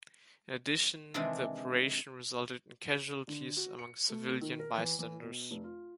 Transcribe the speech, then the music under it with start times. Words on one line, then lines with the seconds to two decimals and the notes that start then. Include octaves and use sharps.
In addition, the operation resulted in casualties among civilian bystanders.
1.14 C3 D#3 E3 G#3 D4
3.28 D3
3.57 F#4
3.79 C#7
4.10 A3
4.41 D#3
4.59 A#4
4.77 E3
4.99 E3
5.22 B2
5.51 F1
5.64 F4